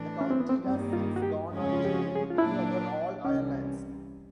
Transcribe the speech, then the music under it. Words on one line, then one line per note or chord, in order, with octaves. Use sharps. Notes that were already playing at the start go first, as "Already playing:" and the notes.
The county has since gone on to win three other All-Irelands.
Already playing: A2 E3 A3 D4
C#4
C4
B3
C4
G2 D#3 G3 A#3 C4
F4
F#4
G4
F2 C#3 F3 G#3 C#4
F4
G4
F#4
G#4
F4
A#2 F#3 A#3 D4 E4
C2 C3 E3 G3 C#4